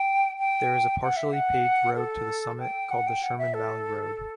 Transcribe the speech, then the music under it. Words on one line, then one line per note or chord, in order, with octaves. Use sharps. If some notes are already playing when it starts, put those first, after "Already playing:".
There is a partially paved road to the summit called the Sherman Valley Road.
Already playing: G5
G5
F#5
E5
F#5
A4
G5
F#5
G5
F#5
E5
A4